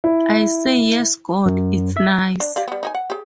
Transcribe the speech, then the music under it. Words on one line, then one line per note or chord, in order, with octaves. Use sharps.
I say Yes God, It's nice.
E4
F#2
E5
D4
G4 D5 F5
G3 B3
D#4 G4 G#5
F#5
G4 G#4